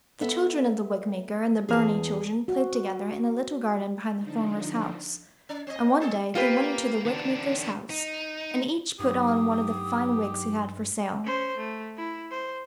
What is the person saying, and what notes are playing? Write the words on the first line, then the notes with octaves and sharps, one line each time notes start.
The children of the wig-maker and the Burney children played together in a little garden behind the former's house, and one day they went into the wig-maker's house, and each put on one of the fine wigs he had for sale.
B3 A4 E5
E2 E3 G#4 A5 F7
F#4
D3 F3 D4 D#4
C#4
C4 D#5
C4 G#4 A4
A#3 F4 G4 B4
D#3 D4
D#4
G2 F#3 D#4 G4 D#6
C#4 C5
A3
E4
C5